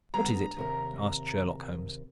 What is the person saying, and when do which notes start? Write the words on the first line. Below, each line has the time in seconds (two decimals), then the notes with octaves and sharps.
"What is it?" asked Sherlock Holmes.
0.14 D3 G3 B3 A#5
0.57 D#2 C3 A#4